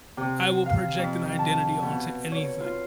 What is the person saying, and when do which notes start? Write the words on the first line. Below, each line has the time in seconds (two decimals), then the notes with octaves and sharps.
I will project an identity onto anything.
0.17 C3
0.66 F5
0.99 F2
1.39 A5
1.82 B2
2.32 C#5
2.60 F4